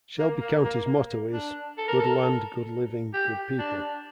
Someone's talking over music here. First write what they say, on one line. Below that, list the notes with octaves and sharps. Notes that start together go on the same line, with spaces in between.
Shelby County's motto is "Good Land, Good Living, Good People".
A#3
A#3
A#3
D4
A4
A#4
A4
G4
D4